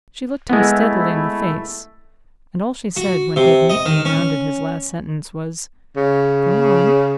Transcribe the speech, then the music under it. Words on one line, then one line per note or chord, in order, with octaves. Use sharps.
She looked him steadily in the face; and all she said, when he had neatly rounded his last sentence, was--"Go on."
G#3 A3 B3 E4
F#4
C3
D#5
D#3
C#4
C#3